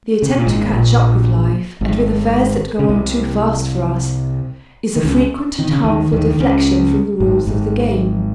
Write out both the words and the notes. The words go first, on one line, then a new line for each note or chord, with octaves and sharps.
The attempt to catch up with life and with affairs that go on too fast for us is a frequent and harmful deflection from the rules of the game.
C#3
C3
A#2
G#1 G#2
G#2
A#1 A#2
G#1 G#2
C#3
C2 C3
D#3
C#2 C#3
D#3
C#3
D#2 D#3
D#2 D#3
D#3
C#2 C#3
G#1 G#2
G#1 G#2